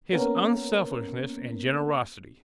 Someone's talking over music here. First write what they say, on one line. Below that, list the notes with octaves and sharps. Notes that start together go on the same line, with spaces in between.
His unselfishness and generosity?
A#3 B3 C#4 A#4